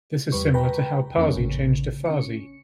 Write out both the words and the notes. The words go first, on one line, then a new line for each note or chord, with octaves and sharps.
This is similar to how Parsi changed to Farsi.
E2 G3 B4 C#6
B4 G5 A#5 B5
F2 A#3 B3 C#4
A1 C#3
C#4 C#7